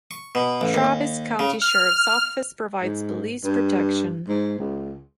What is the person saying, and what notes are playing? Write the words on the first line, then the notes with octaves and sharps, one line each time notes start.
Travis County Sheriff's Office provides police protection.
C#6
B2
A1
D#2
C#3
F6
G#2
G2
G#2
C#2